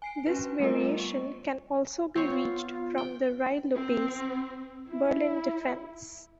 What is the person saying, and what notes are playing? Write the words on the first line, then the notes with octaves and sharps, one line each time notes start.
This variation can also be reached from the Ruy Lopez, Berlin Defence.
G#5 C7 D7
C#4 D4 F#4 B4
G3 A3 B3 F4 A#4 D#5
D#5 C#6
B3 C4 F4 C#5
G5
C4
E4